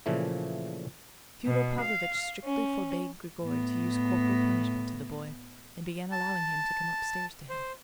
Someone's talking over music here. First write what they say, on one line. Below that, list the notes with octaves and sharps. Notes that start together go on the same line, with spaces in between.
Fyodor Pavlovitch strictly forbade Grigory to use corporal punishment to the boy, and began allowing him to come upstairs to him.
A#2 C#3 E3 F3 A3
B2
F5
C#4
A2 B3
A5
C5